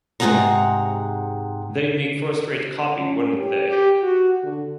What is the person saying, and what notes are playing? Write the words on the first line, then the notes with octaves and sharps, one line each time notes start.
They'd make first-rate copy, wouldn't they?
G#2 C3 D4 G#4 F#5 A#5
C#4
G4
G4
F#4
D3